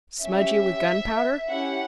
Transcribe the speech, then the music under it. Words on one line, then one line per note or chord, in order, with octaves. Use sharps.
Smudgy with gunpowder?
C#4 G4 E5
C#4 E4 G4 F#5